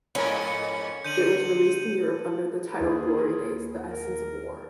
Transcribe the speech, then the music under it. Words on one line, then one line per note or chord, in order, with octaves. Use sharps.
It was released in Europe under the title Glory Days: The Essence of War.
F2 G#2 C#4 A#4
C#7
D3 G6 D#7 F#7
D#2 E4 F4 G#4
A#4